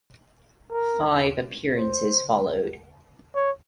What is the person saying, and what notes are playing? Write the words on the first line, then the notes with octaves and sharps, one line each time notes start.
Five appearances followed.
A#4
C5
C#5